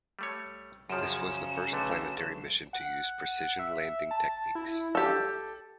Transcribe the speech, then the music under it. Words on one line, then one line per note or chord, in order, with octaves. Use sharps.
This was the first planetary mission to use precision landing techniques.
G3 A3 C#5
F#2 C#3 F3 F#3 E7
B1 D3 A3
F#5
E5
A5
E4
G4 A4